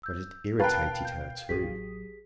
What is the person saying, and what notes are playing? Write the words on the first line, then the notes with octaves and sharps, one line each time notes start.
But it irritated her too.
E6 G6
B2 A#4 B4 F5 G5 A5 A6
G6
A1 F#3 G4 G#4 D#6 B6